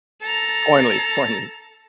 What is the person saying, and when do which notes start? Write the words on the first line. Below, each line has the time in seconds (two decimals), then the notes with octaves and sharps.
Corn leaf corn leaf.
0.22 A4 A5 A#5